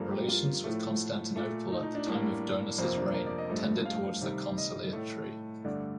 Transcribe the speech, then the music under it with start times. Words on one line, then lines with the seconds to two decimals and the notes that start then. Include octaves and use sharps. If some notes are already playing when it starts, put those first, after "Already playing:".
Relations with Constantinople at the time of Donus' reign tended towards the conciliatory.
Already playing: G2 F3 A#3 A4
0.11 G4
0.29 F4
0.64 A2 F3 A3
1.36 A#2 A3
1.72 D#4
1.83 D#4
1.95 D4
2.07 A2 G3 A#3 D4
2.78 F2 C3 F3 A#3 C4
2.97 D4
3.14 A#4
3.26 D5
3.38 D#5
3.50 G2 F3 A3
3.86 F5
4.21 C3 D#3 G3
4.58 D#5
4.93 A2 A3
5.64 G2 D3 A3 D5